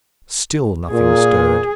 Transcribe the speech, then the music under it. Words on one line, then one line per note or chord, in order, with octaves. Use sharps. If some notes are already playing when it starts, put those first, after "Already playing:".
Still nothing stirred.
A#2 G#4